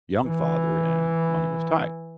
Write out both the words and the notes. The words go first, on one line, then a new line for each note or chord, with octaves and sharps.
young father and money was tight.
E3